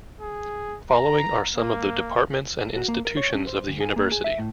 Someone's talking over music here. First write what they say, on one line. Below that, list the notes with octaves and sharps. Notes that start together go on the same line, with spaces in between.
Following are some of the Departments and institutions of the university.
G#4
A#5
A#3
F#4
A#3
A#4
C#5
C#4
C5
D2
G#4
A#3
G#4
E5
A2